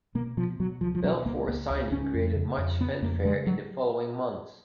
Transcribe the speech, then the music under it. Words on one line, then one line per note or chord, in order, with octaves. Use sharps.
Belfour's signing created much fanfare in the following months.
B2 A#3
B2 F3
B2 F#3
C#2 F3
F3
B2 F#3
C#2 A#3
C#2 A#3
C#2
C#2 C#4
F2
C#3
F2
C#3 B3
F2 A#3
C#3 G#3
F#3